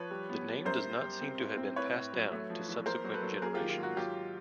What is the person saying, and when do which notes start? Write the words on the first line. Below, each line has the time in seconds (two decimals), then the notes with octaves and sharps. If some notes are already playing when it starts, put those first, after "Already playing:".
The name does not seem to have been passed down to subsequent generations.
Already playing: F3 B4 C#5
0.11 G3
0.29 B3
0.48 G3
0.65 F#2 A#4 C5
0.85 F#2
1.03 G3
1.21 C4
1.40 A2
1.57 C4
1.76 A2 B4 C#5
1.95 A2
2.13 F#3
2.32 A3
2.50 F3
2.68 E2
2.86 A#3 A#4 C5
3.04 F#3
3.14 A4 B4
3.23 F#3
3.41 A#3 G#4 A#4
3.55 D#3 F4 G4
3.70 F4
3.78 G#2
3.83 F#4
3.96 F#3 F4 G4